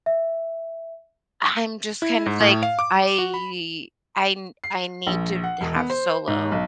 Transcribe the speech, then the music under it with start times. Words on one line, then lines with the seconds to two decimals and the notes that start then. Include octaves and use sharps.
I’m just kind of like, I I n I need to have solo
0.06 E5
2.02 E4
2.26 G#2
2.40 A2
2.63 F5
2.79 D6
3.19 F#4
3.34 B5
4.64 C7
5.07 A#1
5.44 F#5
5.61 E1
5.76 B3
5.90 C5
6.28 G#2
6.52 B1